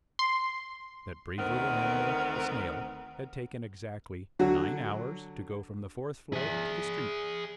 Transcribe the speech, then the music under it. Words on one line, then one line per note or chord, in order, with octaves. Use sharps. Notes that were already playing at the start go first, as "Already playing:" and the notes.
That brave little animal, the Snail, had taken exactly nine hours to go from the fourth floor to the street.
C6
D2 D#3 B3 C4 A#4
D3 F#3 F#4
G#4 E5